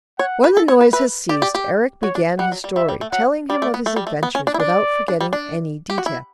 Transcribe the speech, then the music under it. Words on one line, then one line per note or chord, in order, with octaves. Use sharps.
When the noise had ceased, Erec began his story, telling him of his adventures, without forgetting any detail.
C#5 F#5
B4
A4
C#5
B4
B4 E5
G4 D5
G4
G4
F#4 C#5
D4
G3 F#5
F#3
G3
G3 E5
G3
A3
F#3 F#5
G3 D5
A3
B3
A3
G3
A3
B3
C#4
D4
E4
D4 D5
D4
G3
D4
G4
F#4
E4